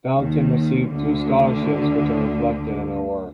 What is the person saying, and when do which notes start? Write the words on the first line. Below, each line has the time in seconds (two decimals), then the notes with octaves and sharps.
Fountain received two scholarships which are reflected in her work.
0.15 D#2 D#3
0.90 D2 D3